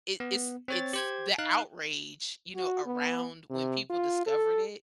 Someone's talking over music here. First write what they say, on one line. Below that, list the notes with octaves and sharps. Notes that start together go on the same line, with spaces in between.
it it's it's the outrage, you know, around when people discovered it
B3
C4 C#5 A6
G4 C5 G#6
D#4 F5 F#6
F#4
B3
C3
F4
A4